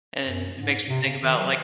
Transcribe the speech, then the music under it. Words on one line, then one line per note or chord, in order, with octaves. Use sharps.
And it makes me think about, like,
F#2
G#2
C3
C#3
D#3
F#3